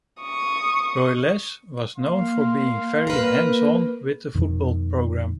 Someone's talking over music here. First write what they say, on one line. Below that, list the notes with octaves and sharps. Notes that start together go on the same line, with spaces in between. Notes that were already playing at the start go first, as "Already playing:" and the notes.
Broyles was known for being very hands-on with the football program.
C#6 D#6
A#3 F5 C6
A#4 B4
F2 B2 D#3